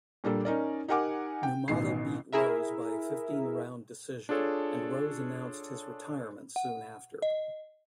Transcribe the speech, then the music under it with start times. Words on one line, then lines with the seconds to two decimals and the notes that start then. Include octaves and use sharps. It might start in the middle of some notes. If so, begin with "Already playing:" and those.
Numata beat Rose by a fifteen-round decision, and Rose announced his retirement soon after.
0.24 A#2 G3 A#3 D4 A4
0.45 C#4 D#4 A#4 D5
0.88 D#4 G4 A#4 F#5 G#5 D6
1.43 G5
1.68 A1 B2 D#3 C7
2.33 E4 G#4 A#4 E5
4.29 D4 F4 G#4 A4 C#5
6.56 F#5
7.22 D#5